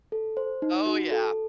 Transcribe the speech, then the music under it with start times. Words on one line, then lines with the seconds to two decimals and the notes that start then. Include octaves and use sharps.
Oh, yeah.
0.12 A4
0.37 C5
0.62 D#4
0.86 F#4
1.11 A4